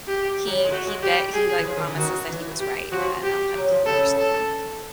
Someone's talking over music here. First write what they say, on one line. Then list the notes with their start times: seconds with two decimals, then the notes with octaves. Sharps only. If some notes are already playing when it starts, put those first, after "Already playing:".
he he bet he, like, promises that he was right, and I'm like, "You were so wrong,"
0.08 G4
0.47 F#3
0.55 G3
0.63 G#3
0.71 A3 F#4
0.87 G#3
1.03 G3 G4
1.34 G#4
1.59 E3
1.66 F3
1.77 D#3
1.87 D3
1.97 D#3 F#4
2.29 E3
2.60 G4
2.92 F3 F#4
3.23 G4
3.55 F#3
3.71 F3
3.86 C#3 A4
4.18 A4